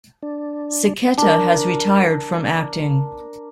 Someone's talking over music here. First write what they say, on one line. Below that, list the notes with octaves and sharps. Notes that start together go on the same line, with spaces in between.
Siketa has retired from acting.
D4
D4 A#4